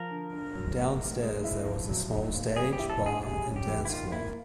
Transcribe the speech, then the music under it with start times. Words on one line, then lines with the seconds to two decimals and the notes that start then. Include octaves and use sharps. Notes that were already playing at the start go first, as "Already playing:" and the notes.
Downstairs there was a small stage, bar and dance floor.
Already playing: F3 A#4
0.10 D3
0.33 D3
0.55 F#3
0.77 A2
1.00 A2
1.22 G#3
1.44 E4
1.67 F3
1.89 F#3
2.12 D#4
2.33 A#2
2.56 G3 G#4
2.73 G4
2.79 E4
2.89 A4
3.00 D3
3.06 G#4
3.23 G3 G#4
3.46 C#4
3.56 G4
3.67 E3
3.85 E4
3.90 D#3 F4
4.12 A#3 E4